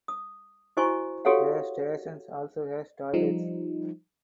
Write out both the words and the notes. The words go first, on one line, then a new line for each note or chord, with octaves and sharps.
The station also has toilets.
D#6
E4 F#4 C5 D#5 G#5 C#6
F#4 G4 A4 C#5 F5 F#5
F3 G3 D#4